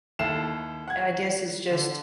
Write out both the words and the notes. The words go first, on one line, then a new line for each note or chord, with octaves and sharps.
I guess it's just
D#2 E4 A4 C7 E7
F#5 G#6
D3